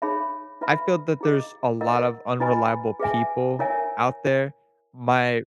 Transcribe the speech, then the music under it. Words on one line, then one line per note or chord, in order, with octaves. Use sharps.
I feel that there's a lot of unreliable people out there. My
D#4 G#4 C#5 E5 B5
E4 B4 E5 B5
E4 G#4 D#5
E4 A#4 D#5 F#5
E4 B4 D#5 G#5 B5
G#4 B4 E5 G#5
E4 A#4 C#5 E5 G#5